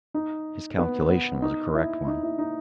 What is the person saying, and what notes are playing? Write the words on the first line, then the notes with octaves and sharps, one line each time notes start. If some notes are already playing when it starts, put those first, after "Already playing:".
His calculation was a correct one.
D#4
B3
B3
D#4
E4
D#4
E4
D#4